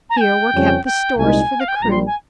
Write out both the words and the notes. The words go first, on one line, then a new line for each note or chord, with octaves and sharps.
Here were kept the stores for the crew.
A#5
G#5
G5
F2 C#3 G3 C#4
G5
C2 A#2 G#3 D#4 G#5
F5
G5
G#5
A#1 A#2 G3 A#5
C6
G#5